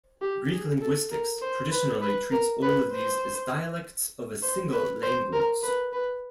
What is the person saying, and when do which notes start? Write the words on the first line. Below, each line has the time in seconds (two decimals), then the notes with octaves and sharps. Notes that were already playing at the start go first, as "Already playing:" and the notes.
Greek linguistics traditionally treats all of these as dialects of a single language.
0.22 G4
0.52 G#4
0.82 A4
1.12 A#4
1.42 C5
1.72 B4
2.02 B4
2.32 A#4
2.62 B4
2.92 C5
4.43 C5
4.72 B4
5.03 C5
5.33 A#4
5.63 B4
5.93 B4